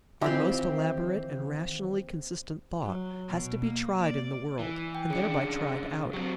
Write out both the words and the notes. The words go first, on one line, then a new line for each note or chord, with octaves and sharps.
Our most elaborate and rationally consistent thought has to be tried in the world and thereby tried out.
D#2 E3 C4 F4 G4 E5 B5
F#3
B2
A#3
D5
E3
G5
C#3 D4 G#4 C#7
F#3 C4 G4